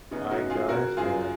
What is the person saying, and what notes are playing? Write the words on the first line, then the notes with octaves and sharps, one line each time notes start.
I gotcha.
C#3 B3 D#4
D#4 F#4
F#2
F4 G#4
C#3 F#4 A#4
F#2 F4 G#4